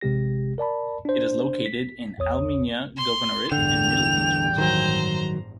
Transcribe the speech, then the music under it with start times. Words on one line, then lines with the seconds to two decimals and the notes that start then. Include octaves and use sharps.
It is located in Al Minya Governorate in Middle Egypt.
0.01 A1 C3 G#3 G4 A#6
0.58 A#4 D5 A5 B5
1.05 D4 C5
1.66 B6
2.18 A#1 E2 C#5 D#6
2.97 C6
3.52 A1 E2 G2 D3 G5 F7
4.58 D#3 F#3 C5 A#5